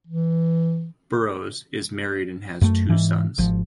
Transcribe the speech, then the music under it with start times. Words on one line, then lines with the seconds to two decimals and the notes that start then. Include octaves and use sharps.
Burrows is married and has two sons.
0.07 E3
2.61 F#2 A3
2.89 G#2 E3
3.38 G#1 F3